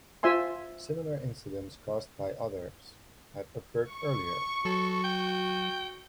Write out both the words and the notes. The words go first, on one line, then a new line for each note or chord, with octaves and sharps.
Similar incidents caused by others had occurred earlier.
F4 C5 E5 G#5 C6
C#6
F#3 F#4 A4
G5